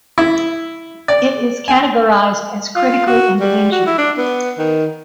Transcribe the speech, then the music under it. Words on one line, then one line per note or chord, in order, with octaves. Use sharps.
It is categorized as Critically Endangered.
E4
D5
G#5
F4
F#4
G3
F#4
E4
D4
B3
D#3